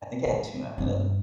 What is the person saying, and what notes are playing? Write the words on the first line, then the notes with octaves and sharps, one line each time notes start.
I think it had tuna in it.
A2
G2